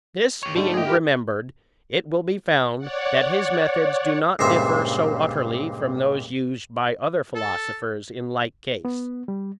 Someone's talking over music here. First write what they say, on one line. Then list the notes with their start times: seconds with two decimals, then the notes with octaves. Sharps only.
This being remembered, it will be found that his methods do not differ so utterly from those used by other philosophers in like case.
0.43 G4 C#5
0.56 G#2 D3 G3 A3
0.74 A3 A#3 G#4 D#5 G5
0.86 E4 G4 A#4
2.78 C#5 D5 F#5
4.39 C#2 G2 A#2 C5 E5
7.35 A4
8.85 B3
9.28 G3